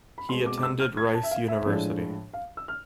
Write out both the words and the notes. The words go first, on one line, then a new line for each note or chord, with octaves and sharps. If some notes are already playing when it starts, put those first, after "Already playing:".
He attended Rice University.
B5
B2 G#3 C4 C6
D6
D6
E6
F6
G#6
A5
E5
F5
E5
A2 F3 G#3 D4
F5
E6
F6